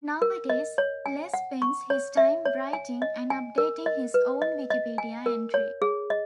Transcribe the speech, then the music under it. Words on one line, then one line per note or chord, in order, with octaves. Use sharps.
Nowadays Les spends his time writing and updating his own Wikipedia entry.
A#4
D#5
C#5
G#5
F#5
C#6
C#5
E5
C#5
G#5
D#5
G#5
A#4
D#5
B4
D#5
D#5
G#5
A#4
C#5
G#4
D#5